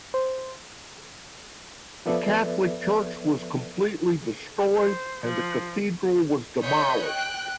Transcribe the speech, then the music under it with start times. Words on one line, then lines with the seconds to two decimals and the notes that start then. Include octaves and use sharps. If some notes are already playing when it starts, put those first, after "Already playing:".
The Catholic Church was completely destroyed and the Cathedral was demolished.
0.14 C5
2.06 F3 B3 A4 B4 D5 E5
4.76 C5
5.26 F3
6.62 C#5 D#5 B5 G6
7.05 G5 F#6